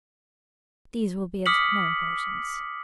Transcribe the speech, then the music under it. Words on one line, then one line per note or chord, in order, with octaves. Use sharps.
These will be of no importance.
D6 D#6 F6 B6 C#7 F#7